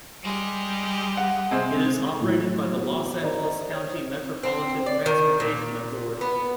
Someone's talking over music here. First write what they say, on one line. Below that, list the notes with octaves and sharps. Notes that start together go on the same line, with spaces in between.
It is operated by the Los Angeles County Metropolitan Transportation Authority.
G3 G#3 G4
F#5
C3 G#3 C4
A2 E3 F#3
B3 F#4 G#4
A#4 C5 D5 D#5 A#5
C5 C#5 G#6
C4
D5
D#3
A#2
B3